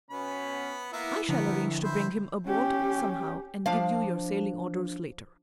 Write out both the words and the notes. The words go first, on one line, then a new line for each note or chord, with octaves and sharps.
"I shall arrange to bring him aboard somehow, and give you your sailing orders later."
B2 B3 C#4 B5
A#3 B3 E4 E5
D3 F3 B3 A#4
E4 C5
C#4 G4
F3 D4 F5